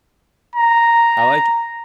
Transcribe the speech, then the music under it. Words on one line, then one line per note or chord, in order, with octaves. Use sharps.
I like
A#5